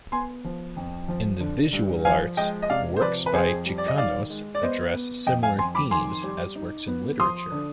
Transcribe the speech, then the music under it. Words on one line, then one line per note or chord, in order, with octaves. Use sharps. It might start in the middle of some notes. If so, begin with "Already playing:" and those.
In the visual arts, works by Chicanos address similar themes as works in literature.
B3 G#5 C6
F3
F2
F3
D3
G2
F3 F5 G#5
G#3 D#5 G5
D#5
C3 D5 F5
C5
F3 B4 D5
B4
F2 G#4 C5
G3
D5
D#5
D#3 D5 F5
G#3
D5
B3 C5 D#5
B3
F2 D#5 G5
F5 G#5
F2 G#5 C6
B5 D6
D#3 G#5 C6
G3
D#4
B3
F3 C6 D#6
D3